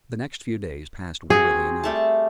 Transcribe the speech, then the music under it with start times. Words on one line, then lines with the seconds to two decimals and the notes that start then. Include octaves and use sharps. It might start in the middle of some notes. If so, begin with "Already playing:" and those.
The next few days passed wearily enough.
1.30 C4 F#4 G#4
1.83 G3 A3 A5